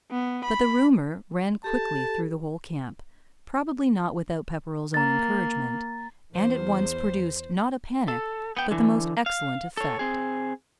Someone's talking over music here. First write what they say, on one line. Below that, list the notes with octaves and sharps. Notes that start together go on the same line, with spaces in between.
But the rumour ran quickly through the whole camp, probably not without Pepperrell's own encouragement, and at once produced, not a panic, but the most excellent effect.
B3
B5
G4 A4 A5
A#3 A#5 A6
E2 C5
A4
B3 G5
D3 E3
F5
A4 C#5
C4 G#4